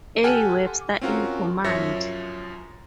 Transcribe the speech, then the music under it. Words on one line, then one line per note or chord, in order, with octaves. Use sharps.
A. Webster in command.
G4 A4 F#5 G#5 F6
C4 C#4 F4 F#4 A#4
F#2 F3 C#5 E5 A#6 C#7